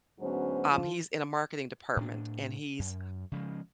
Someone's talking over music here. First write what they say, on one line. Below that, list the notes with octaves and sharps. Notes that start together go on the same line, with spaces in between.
um, he's in a marketing department, and he's
D2 G#2 F#3 B3 C#4 C5
F3 F4
A2 D4
F#2
C#3 F3 G#3